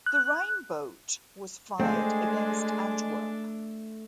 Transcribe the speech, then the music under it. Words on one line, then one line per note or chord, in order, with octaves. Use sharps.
The Rheinbote was fired against Antwerp.
F#6
G#3 A3 C4 D4